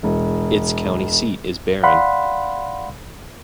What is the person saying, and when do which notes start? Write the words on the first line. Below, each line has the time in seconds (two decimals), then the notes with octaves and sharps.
Its county seat is Barron.
0.03 E1
1.83 D5 F5 F#5 B5 C6